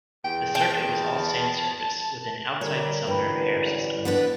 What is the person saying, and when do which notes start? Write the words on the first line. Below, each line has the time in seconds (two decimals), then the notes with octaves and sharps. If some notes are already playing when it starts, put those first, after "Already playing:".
The circuit was all sand surface with an 'Outside Sumner' hare system.
0.24 E2 G5
0.55 G5 A5
2.61 D3 G3 A#4 C#5 G#5
3.07 A1 D2 G2 E3 B4 G5 B5
4.05 G2 B3 D4 B4